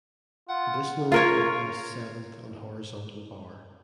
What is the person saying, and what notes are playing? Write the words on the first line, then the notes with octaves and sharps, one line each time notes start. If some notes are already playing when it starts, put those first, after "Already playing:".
Additionally he placed seventh on horizontal bar.
F4 F#5
F4 A#4 C#5